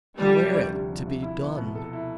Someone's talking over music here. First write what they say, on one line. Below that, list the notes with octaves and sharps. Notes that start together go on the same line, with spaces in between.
How air it to be done?
F3 G3
C3
D2
D2
F3
C3
E4
B3
B2
A4
E4